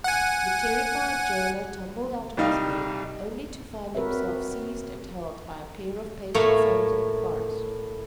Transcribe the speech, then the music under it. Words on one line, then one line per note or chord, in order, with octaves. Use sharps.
The terrified jailer tumbled out of his bed, only to find himself seized and held by a pair of painted sons of the forest.
F#5 G#5
C2 G3 D#4 F5
C4 F#4 A#4 B4 C#5 E5
A2 A3 A#3 C#5